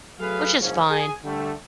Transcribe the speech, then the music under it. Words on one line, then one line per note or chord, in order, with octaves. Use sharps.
Which is fine.
F#3 A3 G#4 A4 B4 F5
F#1 G#2 C#3 F3 C#4
G#4 G#5
D3 G3 A3